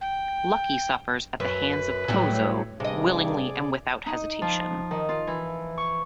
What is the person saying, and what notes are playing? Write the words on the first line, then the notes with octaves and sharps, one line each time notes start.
Lucky suffers at the hands of Pozzo willingly and without hesitation.
G5
F#2 B4
A2 F#3 G3
G2 C3 G#4 D5 D#5
D#4
F3
D#3
F4
E3
C#6